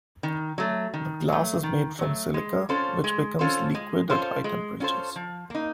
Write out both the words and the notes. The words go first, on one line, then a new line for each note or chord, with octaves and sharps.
The glass is made from silica, which becomes liquid at high temperatures.
D#3
F#3 A3
D#3
F#3 A3
D#3
F#3 A3
G#3
C#4 F4 A4 C5
G#3
C#4 F4 A4 C5
G#3
C#4 F4 A4 C5
G#3
C#4 F4 A4 C5
F3
A#3 D#4